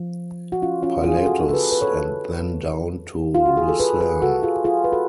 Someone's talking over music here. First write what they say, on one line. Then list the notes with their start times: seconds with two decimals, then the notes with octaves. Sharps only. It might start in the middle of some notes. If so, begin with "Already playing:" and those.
Pilatus and then down to Lucerne.
Already playing: F3
0.52 F#4
0.62 C#4 F4
0.82 C#4 F4
1.04 F4 G#4
1.17 G#4
1.26 F#4 A4
1.49 A4
1.53 G#4 B4
1.72 B4
1.81 A4 C#5
3.35 F4
3.46 F#4
3.57 G#4
3.69 A4
3.80 G#4 B4
4.00 G#4 B4
4.22 F#4 A4
4.43 F4 G#4
4.64 F4 G#4
4.84 B4
4.92 F#4 A4